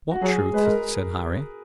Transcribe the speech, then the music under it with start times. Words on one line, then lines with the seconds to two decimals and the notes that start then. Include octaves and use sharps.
"What truth?" said Harry.
0.11 F#4
0.22 F#3 G#4
0.53 G#3 B4
0.65 A#4